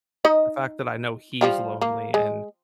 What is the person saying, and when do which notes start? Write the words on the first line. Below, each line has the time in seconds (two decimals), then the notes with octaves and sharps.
the fact that I know he's lonely and
0.25 D#4 D#5
1.41 F3 G3 F4
1.82 A#3
2.14 G#3